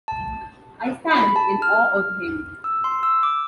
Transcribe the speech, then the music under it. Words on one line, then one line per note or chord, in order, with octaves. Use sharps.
I stand in awe of him.
A5
B5
A5
F6
E6
C6
E6
D6